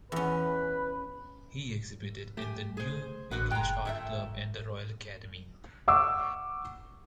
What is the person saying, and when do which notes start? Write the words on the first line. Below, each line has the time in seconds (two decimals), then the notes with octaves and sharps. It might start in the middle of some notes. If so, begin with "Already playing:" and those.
He exhibited in the New English Art Club and the Royal Academy.
0.12 E2 C#4 B4
2.37 A3 G4 G#5
2.77 G#4 C5
3.31 A1 D3 B3 F#4
3.51 F#1 G#3 G5 A#5
3.85 G1 A#2 A3 E5
5.88 F#5 C#6 D6 E6